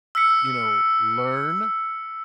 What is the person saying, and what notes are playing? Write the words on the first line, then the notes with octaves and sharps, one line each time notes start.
you know, learn,
E6 F6 B6 C#7